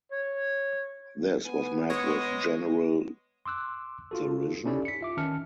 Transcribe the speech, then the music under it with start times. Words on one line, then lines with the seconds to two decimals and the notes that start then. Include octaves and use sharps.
This was met with general derision.
0.12 C#5
1.44 B3 G#5
1.90 G#3 C#5 D#6 A#6
3.46 C6 D6 E6 F#6
4.11 F4 F#4 A4
4.66 C#4 D#4 E4 G4 A4 D5
4.85 B6 C#7
5.01 F4 E5 D6
5.17 D#3 C#4 A5 F6 C#7